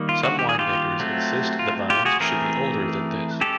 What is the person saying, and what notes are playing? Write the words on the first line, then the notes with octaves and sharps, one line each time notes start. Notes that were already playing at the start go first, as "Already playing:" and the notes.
Some wine makers insist the vines should be older than this.
Already playing: D#3 G3 A#3
F4
F#4
G4
G#4
F4 G4
F#3 A3 C4
F4
F4 G4
F#4 G#4
E3 A3 C4 G#4 A#4
G#3 C#4 G4 A4